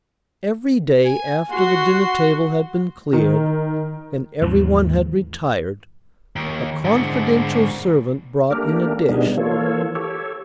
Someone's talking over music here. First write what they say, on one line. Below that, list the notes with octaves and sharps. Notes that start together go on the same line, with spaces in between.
Every day, after the dinner table had been cleared, and everyone had retired, a confidential servant brought in a dish.
G#5
F#4 C6
D#3
D#2 G#2 E3 F3
D#2
G#2 D3
A3 A#3 D4 G4 A#4
B2 G3 B3 D4 D#4 G#4
E3 A#3 F4 A4 C#5
G4 A4 C#5